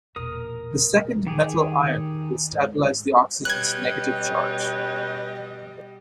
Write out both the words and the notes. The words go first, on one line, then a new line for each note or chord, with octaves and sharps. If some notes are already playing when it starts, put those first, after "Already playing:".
The second metal ion will stabilize the oxygen's negative charge.
E1 A#1 A#4 D#6
D#3 G4 G#4
E2
G#2
B2 G3 C#4 G4 B4 D#5 F#6 G#6